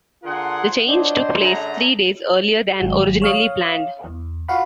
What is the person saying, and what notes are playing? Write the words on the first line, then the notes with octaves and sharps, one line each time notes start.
The change took place three days earlier than originally planned.
D3 F4 G#4 A#4 F#5 C6
F#3 D4 C5 D#5
F#2 D3 A3 G#4 A4 A#5
G#1 F#3
C#5 F5 D#6
E2
F4 F#4 F5 F#5 B5